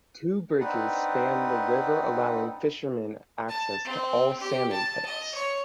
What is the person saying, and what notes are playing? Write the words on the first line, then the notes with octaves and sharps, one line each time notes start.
Two bridges span the river allowing fishermen access to all salmon pits.
C4 D4 D#4 B4 F#5
A5
C4
G4
A5
D#5
C#5